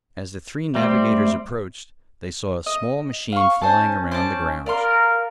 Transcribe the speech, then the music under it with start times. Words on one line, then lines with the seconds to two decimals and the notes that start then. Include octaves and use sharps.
As the three navigators approached, they saw a small machine flying around the grounds.
0.75 G3 A3 C4
2.66 D#5
3.32 F5 C#6
3.62 C#4 C5 G#5 A5
4.11 C5 D5 A5
4.66 A#4 D5 F5 C6